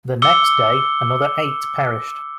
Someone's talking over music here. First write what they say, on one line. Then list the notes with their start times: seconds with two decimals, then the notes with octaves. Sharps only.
The next day, another eight perished.
0.22 D6 E6 C#7 G7